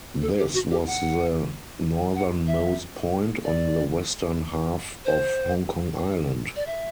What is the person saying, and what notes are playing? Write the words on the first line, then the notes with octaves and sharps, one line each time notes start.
This was the northernmost point on the western half of Hong Kong Island.
A4
G4
F#4
G4
F#5
F#5
E5
D5
C5
D5
E5